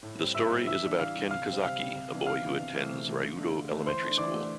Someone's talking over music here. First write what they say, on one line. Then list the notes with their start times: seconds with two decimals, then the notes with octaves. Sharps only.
The story is about Ken Kazaki, a boy who attends Ryudo Elementary School.
0.03 A2
0.19 G3 C4
0.35 A2 E5 E6
0.51 G3 C4
0.67 E3 E5 E6
0.83 G3 D4
0.99 E3 F5 F6
1.16 G3 D4
1.31 C3 F5 F6
1.47 G3 C4
1.62 C3 F5 F6
1.79 G3 C4
1.95 C3
2.11 E3 B3 D4
2.26 C3 F5 F6
2.42 E3 B3 D4
2.59 C3
2.74 E3 A3 C4
2.91 C3
3.06 E3 A3 C4
3.22 D3
3.38 A3 D4
3.55 D3
3.71 A3 D4
3.86 E3 C5 C6
4.03 A3 D4
4.18 E3 D5 D6
4.34 A3 D4